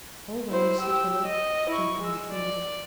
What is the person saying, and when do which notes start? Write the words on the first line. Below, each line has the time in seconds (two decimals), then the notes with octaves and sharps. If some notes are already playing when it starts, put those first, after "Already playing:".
"Hold on!" said Hale, jumping between them.
0.50 E4 C5
0.81 G4 E6
1.26 D#5
1.70 E4 C#6
2.00 G#3 E6
2.31 D5